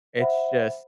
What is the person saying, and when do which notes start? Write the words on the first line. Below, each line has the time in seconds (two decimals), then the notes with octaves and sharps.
it's just
0.17 C5 E5 F#5 B5